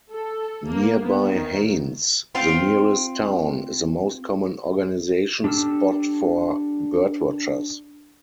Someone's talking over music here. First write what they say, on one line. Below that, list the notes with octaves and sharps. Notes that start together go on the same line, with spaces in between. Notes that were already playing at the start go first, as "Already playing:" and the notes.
Nearby Haines, the nearest town, is the most common organization spot for birdwatchers.
A4
A#3
B3
D#3
C4 F4 F5 G5
D4 G4 A4 E6 F6